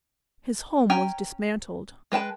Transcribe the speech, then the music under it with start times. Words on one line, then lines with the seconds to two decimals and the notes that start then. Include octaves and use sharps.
His home was dismantled.
0.90 C#4 G5 G#5 A#5
2.12 G#3 B4 G5 A5